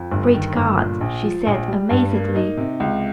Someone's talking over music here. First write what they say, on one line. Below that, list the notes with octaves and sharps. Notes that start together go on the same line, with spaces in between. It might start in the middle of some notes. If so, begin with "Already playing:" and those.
"Great God!" she said amazedly.
Already playing: F2
G1
D#3
G1
A#2
A#1
F3
A#1
G3
G2
A#3
D#4
C3
C#2